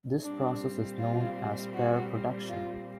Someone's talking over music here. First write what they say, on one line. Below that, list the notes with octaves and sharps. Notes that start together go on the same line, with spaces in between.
This process is known as pair production.
A#2 G3 C4 D4
F4
F#4
F4